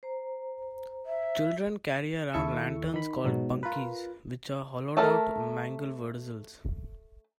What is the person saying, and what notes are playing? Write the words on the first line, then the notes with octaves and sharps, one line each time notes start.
Children carry around lanterns called "Punkies", which are hollowed-out mangelwurzels.
C5 A#5
E5
D#2 E4 A4 C#6 E6
D#3 B5
G#2 B2 F#3
F4 A#4 B4
A3 A4 A#4